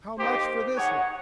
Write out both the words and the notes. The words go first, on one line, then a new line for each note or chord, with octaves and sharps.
How much for this lot?
A#3 D#4 G4 C5
D#4 G#4 C#5 F#5